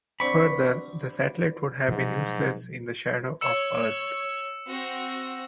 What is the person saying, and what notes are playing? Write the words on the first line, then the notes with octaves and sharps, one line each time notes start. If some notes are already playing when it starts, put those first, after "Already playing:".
Further, the satellite would have been useless in the shadow of Earth.
D3 C4 B5 C#6
G#2 B2 F3 F#3
C#5 E6 C#7 E7
C4 F#4 A#6